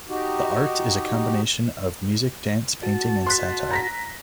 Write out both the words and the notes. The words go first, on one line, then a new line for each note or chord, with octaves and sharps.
The art is a combination of music, dance, painting and satire.
D#4 F#4 G4
F#4 A5
C6 F#6 B6
A#5 A#6 B6